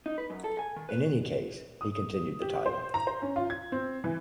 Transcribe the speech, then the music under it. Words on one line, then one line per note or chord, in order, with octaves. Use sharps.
In any case, he continued the title.
D#4
B4
F#2
A4
G#5
D#3
B4
D#6
G4
C5
A#5
C5
C#4
F4
G#6
C4
E3